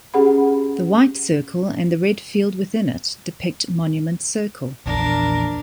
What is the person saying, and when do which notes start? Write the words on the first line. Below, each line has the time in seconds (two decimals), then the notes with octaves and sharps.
The white circle and the red field within it depict Monument Circle.
0.14 C#4 G4 G#4 F#5 B5
4.86 A#1 E2 D4 A#4